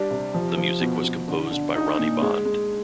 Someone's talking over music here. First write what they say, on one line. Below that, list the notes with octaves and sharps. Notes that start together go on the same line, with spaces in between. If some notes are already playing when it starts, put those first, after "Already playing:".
The music was composed by Ronnie Bond.
Already playing: G3 D4
C3
F3
F3
B2
B2
D3
D3
D#4
A#2
G#3
G#3